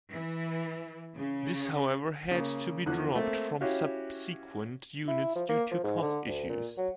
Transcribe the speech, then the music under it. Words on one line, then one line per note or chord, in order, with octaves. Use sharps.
This however had to be dropped from subsequent units due to cost issues.
E3
C#3
C#3 A#3
E2 D3 F3 F#6
A3 A#3 C4
C#4 E4 F#4 G4 F5
E4
F3
A#3
F3
G#2
D3
D2
A#2
F#3